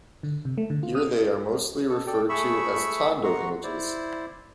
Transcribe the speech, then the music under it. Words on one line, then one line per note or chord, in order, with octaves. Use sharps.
Here they are mostly referred to as tondo images.
D3
C3
A3
D3
F4
D#6
A4
A4 D5 G5
A3 G#4 E5 B5 C#6 E6
F#4 F#5 A#5 C6 C#6
E4 C5 D5